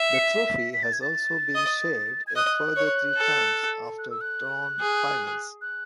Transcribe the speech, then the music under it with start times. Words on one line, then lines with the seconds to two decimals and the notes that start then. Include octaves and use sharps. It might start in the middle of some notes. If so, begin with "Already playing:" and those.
The trophy has also been shared a further three times after drawn finals.
Already playing: E5
0.14 C#7
0.19 B6
0.46 B6
0.73 B6
0.83 A6
0.93 G#6
1.02 A6
1.55 D#5
2.27 G#6
2.36 D#5 F#6
2.76 C#5
3.17 A4
3.99 F#6
4.10 E6
4.21 F#6
4.80 G#4
5.61 F#6